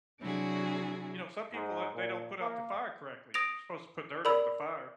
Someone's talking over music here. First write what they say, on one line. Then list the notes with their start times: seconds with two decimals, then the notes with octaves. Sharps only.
You know, some people that they don't put out the fire correctly. You're supposed to put dirt over the fire,
0.21 C3 F#3 D4 E4 F#4 G#4
1.54 G#2
1.94 A#2
2.40 A#3
3.34 D#6 A#6 D7 F7
4.25 A#4 D5 B5 E6